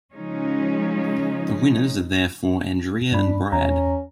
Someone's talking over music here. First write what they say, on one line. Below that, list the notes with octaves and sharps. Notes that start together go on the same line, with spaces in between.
The winners are therefore Andrea and Brad.
C#3 F3 G#3 C#4 D#4
G2 D4 B5
E2 C#4 A#5